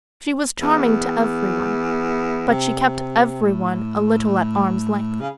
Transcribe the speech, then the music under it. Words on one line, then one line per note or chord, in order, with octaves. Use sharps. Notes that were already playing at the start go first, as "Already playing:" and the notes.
She was charming to every one, but she kept every one a little at arm's length.
E2
C3
A2
C#3